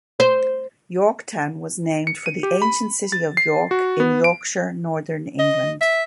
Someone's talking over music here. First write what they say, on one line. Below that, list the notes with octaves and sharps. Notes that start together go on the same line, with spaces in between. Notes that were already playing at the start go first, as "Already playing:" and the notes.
Yorktown was named for the ancient city of York in Yorkshire, Northern England.
C5
C#7
D#7
G4
B5
A6
C7
F#4
B3
D7
D#5
E5